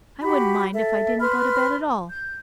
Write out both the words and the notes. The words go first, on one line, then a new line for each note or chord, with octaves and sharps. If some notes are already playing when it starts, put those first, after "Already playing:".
"I wouldn't mind if I didn't go to bed at all."
F#4 G4 B5
A4 E5
B4 B5 C6 F6
G6